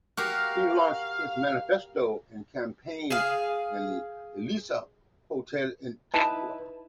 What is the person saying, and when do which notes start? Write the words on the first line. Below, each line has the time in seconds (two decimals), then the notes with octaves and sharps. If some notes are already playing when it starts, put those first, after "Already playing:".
He launched his manifesto and campaign at the Alisa Hotel in Accra.
0.17 F#4 G4 A#4 F5
3.10 G#4 F5
6.14 D#4 E4 B4 A5